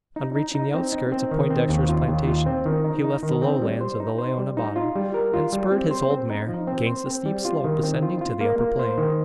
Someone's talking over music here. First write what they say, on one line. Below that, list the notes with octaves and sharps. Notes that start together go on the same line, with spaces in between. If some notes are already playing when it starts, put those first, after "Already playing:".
On reaching the outskirts of Poindexter's plantation, he left the low lands of the Leona bottom, and spurred his old mare 'gainst the steep slope ascending to the upper plain.
D#4
D#4
D#4
C4
D#4
C4
D#3
C4
D#2
F4
D#2
F4
C4
D#3
D#4
D#4
D#3
C4
G3
C5
D#4
C5
G3
D#4
F4
G3
A#4
F4
G3
C4
C5
C4
D#4
F3
C4
C5
C4
G3
F4
D#3
C4
F4
F4
A#3
A#3
C5
D#3